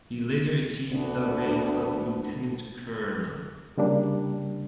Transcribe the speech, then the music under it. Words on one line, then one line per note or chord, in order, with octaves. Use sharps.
He later achieved the rank of lieutenant colonel.
D2 B3 D4
C#3 G3 A#3 D4